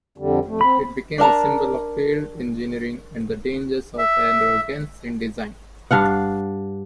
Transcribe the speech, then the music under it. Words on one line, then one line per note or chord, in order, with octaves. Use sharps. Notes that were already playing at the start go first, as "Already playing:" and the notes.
It became a symbol of failed engineering and the dangers of arrogance in design.
F2 D3 G3
F2 A3
C4 B5
D4 A#4 A5 A#5
E5
G2 D4 F5 F#5